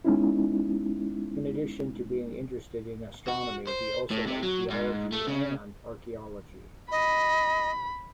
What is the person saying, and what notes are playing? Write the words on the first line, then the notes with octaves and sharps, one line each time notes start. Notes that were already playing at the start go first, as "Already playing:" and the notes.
In addition to being interested in astronomy, he also liked geology and archeology.
G#3 B3 C#4 D#4 E4
F#4
C5
A2
C3
F#3
G#2
A3
C#3
D#5 B5